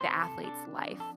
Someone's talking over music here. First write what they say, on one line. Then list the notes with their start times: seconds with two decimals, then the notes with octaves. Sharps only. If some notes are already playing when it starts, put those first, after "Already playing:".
the athlete's life.
0.01 C3 C5
0.22 A4
0.44 D4 A4
0.89 F2
1.00 A4